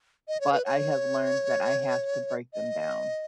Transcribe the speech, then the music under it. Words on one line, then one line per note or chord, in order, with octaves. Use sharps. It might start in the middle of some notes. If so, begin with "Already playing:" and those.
but I have learned that I have to break them down.
D#5
C#5
B4
C#5
D#5